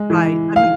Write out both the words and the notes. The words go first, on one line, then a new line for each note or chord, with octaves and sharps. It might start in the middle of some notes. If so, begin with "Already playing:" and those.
Right. I mean
Already playing: G#3
E3
F5